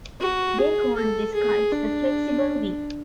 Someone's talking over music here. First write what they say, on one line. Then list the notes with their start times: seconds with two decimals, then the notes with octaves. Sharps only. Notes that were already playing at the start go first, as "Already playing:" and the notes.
They called this kite the "flexible wing".
0.21 F#4
0.59 G#4
0.96 A4
1.34 G#4
1.72 D4